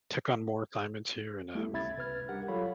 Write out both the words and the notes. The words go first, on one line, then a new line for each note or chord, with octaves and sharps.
took on more assignments here and, um,
G3 A3 B3 E4 G4 A4
C2 C#4 E5 B5 G#6 A6
C2 B4 F6 G#6
G3 D4 G4 A#4 F#5
F#3 F4 A4 C#5 F5 B5